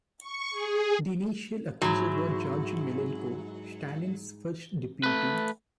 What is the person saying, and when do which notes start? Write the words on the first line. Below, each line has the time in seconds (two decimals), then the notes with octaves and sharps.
The initial accuser was Georgy Malenkov, Stalin's first deputy.
0.20 C#6
0.51 G#4
1.82 G#2 F#3 E4
5.04 A3 B4